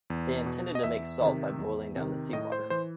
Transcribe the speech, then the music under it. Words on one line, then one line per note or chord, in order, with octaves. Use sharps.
They intended to make salt by boiling down the sea water.
E2
B2
D#5
E2 E5
C3 D#3
E2
C3 D#3
A2 D#5
C5
E3 C5